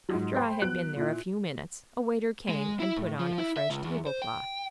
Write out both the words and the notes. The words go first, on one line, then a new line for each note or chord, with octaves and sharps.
After I had been there a few minutes a waiter came and put on a fresh table cloth.
G#2 F3 F#3
C5 G5 B5 C6
F#3 B3 F#6 D7
A#2 E4
G#3
E4
A2
F3
E4
E5
C#2
E2
C5
G5